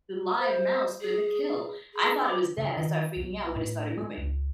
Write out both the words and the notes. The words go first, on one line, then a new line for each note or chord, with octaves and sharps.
the live mouse for the kill. I thought it was dead. I started freaking out when it started moving.
C5
G#4
G#4
D6
C#3
D#3
B1
A2
G#3
C#2